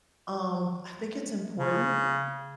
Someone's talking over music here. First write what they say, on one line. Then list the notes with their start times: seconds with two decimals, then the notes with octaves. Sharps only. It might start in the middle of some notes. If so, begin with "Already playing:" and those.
um, I think it's important
1.58 C#3